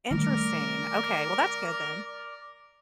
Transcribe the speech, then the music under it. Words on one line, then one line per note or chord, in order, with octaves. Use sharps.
Interesting. Okay. Well, that's good then.
D#3 G3 A3 A#4 D5